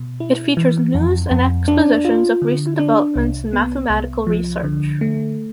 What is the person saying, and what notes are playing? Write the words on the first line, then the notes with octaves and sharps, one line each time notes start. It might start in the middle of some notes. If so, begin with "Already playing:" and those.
It features news and expositions of recent developments in mathematical research.
Already playing: B2
E4
E3
F2
F2
D4
F4
D3
D4
C2
B3
C2
F3
D3
A3